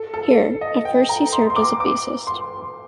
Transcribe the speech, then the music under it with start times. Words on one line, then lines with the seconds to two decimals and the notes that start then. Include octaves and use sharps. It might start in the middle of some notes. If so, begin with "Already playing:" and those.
Here, at first he served as a bassist.
Already playing: A4
0.14 A4
0.61 D#5
0.85 G5
1.09 A#5
1.32 C6
1.50 C6
1.56 D6
1.80 D6
2.27 C6